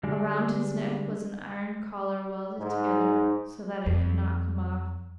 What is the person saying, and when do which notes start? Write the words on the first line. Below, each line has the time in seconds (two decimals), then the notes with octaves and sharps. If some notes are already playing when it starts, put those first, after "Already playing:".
Around his neck was an iron collar welded together so that it could not come off.
0.03 D3 G3 G#3 D4 G#4
2.58 G#2
3.86 F2